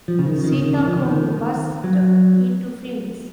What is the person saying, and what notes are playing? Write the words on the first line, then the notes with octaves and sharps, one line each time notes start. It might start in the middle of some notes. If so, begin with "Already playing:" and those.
"Sitakund" burst into flames.
F3
C#3
D#3
D#3
C#3
D#3
D#3
F3
C#3
D#3
F#3